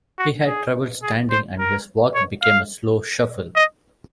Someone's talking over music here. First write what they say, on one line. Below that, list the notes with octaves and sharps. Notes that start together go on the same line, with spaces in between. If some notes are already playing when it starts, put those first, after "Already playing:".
He had trouble standing, and his walk became a slow shuffle.
F#4
G#4
G#4
C5
A#4
C#5
F5
D#5